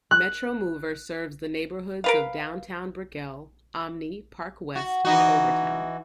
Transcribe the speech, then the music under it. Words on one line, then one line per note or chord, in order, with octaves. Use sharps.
Metromover serves the neighborhoods of Downtown, Brickell, Omni, Park West, and Overtown.
F#6
A#4 B4 F5
F#4
E3 D#4 F#4